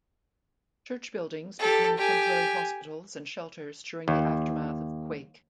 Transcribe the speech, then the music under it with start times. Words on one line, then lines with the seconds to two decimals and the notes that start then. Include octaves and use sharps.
Church buildings became temporary hospitals and shelters during the aftermath of the quake.
1.59 G4 A4
1.97 G4 G#5
4.08 D#2